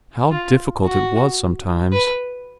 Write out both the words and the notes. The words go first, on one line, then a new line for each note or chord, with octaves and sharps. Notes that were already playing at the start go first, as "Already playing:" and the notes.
How difficult it was sometimes.
F4
F#4
B4